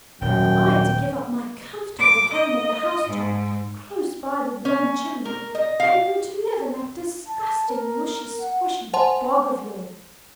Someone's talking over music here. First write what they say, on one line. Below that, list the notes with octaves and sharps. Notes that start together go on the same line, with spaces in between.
I to give up my comfortable home on the house-top, close by the warm chimney, and go to live in that disgusting mushy-squshy bog of yours!
D#1 F#2 G5
D6
D#5
G#2
C#4
A#4
D#5
F5
A5
A#4
A#4
F#5
C5 F#5 G#5 A5 C6